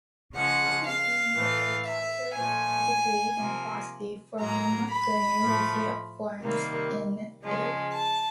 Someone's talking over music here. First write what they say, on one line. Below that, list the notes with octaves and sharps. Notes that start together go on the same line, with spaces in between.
He earned a doctorate degree in philosophy from the University of Florence in Italy.
C#3 F3 G#3 F#5
F5
A2 E3 A3
E5
A#2 F3 A3 G#5
C3 F3 A#3
A2 F#3 A#3 A#5
B5
A2 F3 A3
C3 D#3 G3 A#3
C#3 F3 G#3
A5